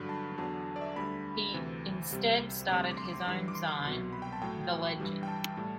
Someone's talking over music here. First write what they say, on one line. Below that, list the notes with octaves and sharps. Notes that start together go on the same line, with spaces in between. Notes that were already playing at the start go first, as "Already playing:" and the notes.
He instead started his own zine, The Legend!
Already playing: G2 D3 F#3 B5
A5
E2 D3 F#3 A5
D5
E5
D2 D3 G3 B5
D2 C3 E3
C2 C3 G3
D2 C3 G3 D6
C6
D6
C6
D6
C6
D6
G2 E3 G3 C6
D6
C6
C2 B2 F#3
B5
G5
A5
A2 F#3 G5
G2 E3 G3
G5
A5
A2 G3